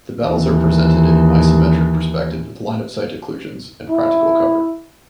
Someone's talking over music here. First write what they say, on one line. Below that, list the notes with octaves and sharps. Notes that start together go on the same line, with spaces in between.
The battles are presented in an isometric perspective with line-of-sight occlusions and practical cover.
D#2 E3
E4